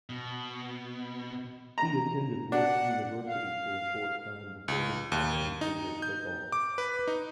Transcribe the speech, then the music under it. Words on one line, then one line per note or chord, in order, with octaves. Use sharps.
He attended Wilkes University for a short time before his acting career took off.
B2
A#5
D4 F#5
F5
C#2
D#2
D#4
G6
D6
B4
D#4